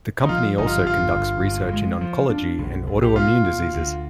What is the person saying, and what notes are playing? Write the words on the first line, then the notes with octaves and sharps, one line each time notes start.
The Company also conducts research in oncology and autoimmune diseases.
D#4
F3 F4
G1 D#4
F4
G2 F4
G1
G2
G#3
F3
D4
B1
B1
G4
B2 F4
B2
D2